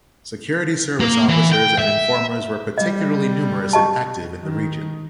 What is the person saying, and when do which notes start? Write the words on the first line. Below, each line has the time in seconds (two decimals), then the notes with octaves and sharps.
Security service officers and informers were particularly numerous and active in the region.
1.00 A#3
1.28 E3
1.52 G5
1.79 E5
2.78 G3 D#5
3.73 G4 D#5 A5
4.40 D#3